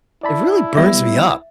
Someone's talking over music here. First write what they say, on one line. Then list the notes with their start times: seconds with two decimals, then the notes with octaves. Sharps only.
it really burns me up,
0.23 E4 D5 A5 B5
0.77 G3 B3 E5